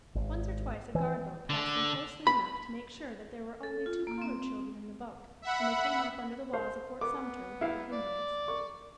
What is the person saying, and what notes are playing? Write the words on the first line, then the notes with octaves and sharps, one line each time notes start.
Once or twice a guard-boat passed them closely enough to make sure that there were only two colored children in the boat, and they came up under the walls of Fort Sumter without a hindrance.
G#1
E3
D3
B5
A4
F4
A#3
C4
E5 F#5 B5
C5 F5
B3 D6
E4 F5
D5
C#6